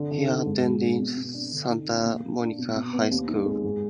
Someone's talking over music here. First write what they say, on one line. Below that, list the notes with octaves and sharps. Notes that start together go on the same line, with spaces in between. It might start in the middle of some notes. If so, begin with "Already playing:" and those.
He attended Santa Monica High School.
Already playing: D3
D3
D#4
G#2
G#2
D4
B2
B2
D4
D3
D#4
A#3
A#2
A#2
D4
B2
B2
B3
D#2
D#4
G#3
G#2